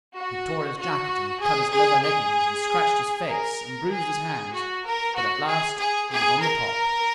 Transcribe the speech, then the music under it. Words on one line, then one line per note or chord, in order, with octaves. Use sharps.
He tore his jacket and cut his leather leggings and scratched his face and bruised his hands, but at last he was on the top.
F#4
F#4
G#4
G#4
G#4
A#4
G#4
F#4
A#4
F#4
G#4
G#4
G#4
A#4